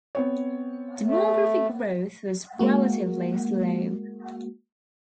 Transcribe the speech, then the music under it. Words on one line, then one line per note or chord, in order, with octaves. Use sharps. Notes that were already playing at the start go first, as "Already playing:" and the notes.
Demographic growth was relatively slow.
B3 C4 C#5
A3
G#3 A#3 F#4